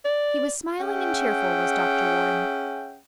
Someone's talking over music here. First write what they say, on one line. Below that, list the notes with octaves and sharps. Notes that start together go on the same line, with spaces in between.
He was smiling and cheerful, was Dr. Warren.
D5
C#4 G#4 E5 F#5 G5